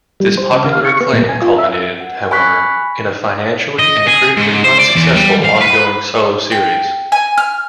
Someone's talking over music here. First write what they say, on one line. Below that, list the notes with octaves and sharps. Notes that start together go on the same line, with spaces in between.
This popular acclaim culminated, however, in a financially and critically unsuccessful ongoing solo series.
G3
C5
C#3
F5
C#6
B3
A#2
G#5
F4
E5
F#5
G#5 B5 C#6 F#6 B6
D#5
G#4
G#2
C5
D5
E2
G3
F5
B4
G5
G#5
F6